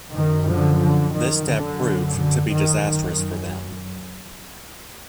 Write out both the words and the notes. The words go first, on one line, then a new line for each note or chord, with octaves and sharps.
This step proved to be disastrous for them.
F#2 D#3
D3 F3
D3
D#3
F#2 D3
D3
D#3
F#2 D#3